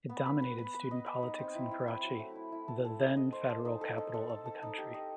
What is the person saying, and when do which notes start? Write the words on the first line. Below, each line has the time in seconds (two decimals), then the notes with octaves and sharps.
It dominated student politics in Karachi, the then Federal Capital of the country.
0.09 B3
0.26 B4
0.42 B4
0.58 B4
0.75 B4
0.91 D#5
1.06 B4
1.23 D#4
1.39 C4
1.55 E4
1.71 E4
1.88 E4
2.03 F#3
2.20 A3
2.36 E4
2.52 E4
2.68 A4
2.85 A4
3.00 D#5
3.17 D#5
3.32 C5
3.50 A4
3.65 D#4
3.81 A4
3.98 A4
4.14 A4
4.29 A4
4.45 A4
4.63 D#4
4.78 G4
4.94 D#5